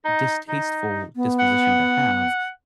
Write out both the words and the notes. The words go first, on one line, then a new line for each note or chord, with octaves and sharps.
distasteful disposition to have.
D#4
D#4
B3
F#5